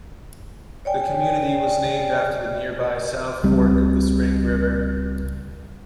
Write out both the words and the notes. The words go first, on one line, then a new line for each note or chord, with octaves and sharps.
The community was named after the nearby South Fork of the Spring River.
C#5 D5 G5 G#5
C#2 G3 C4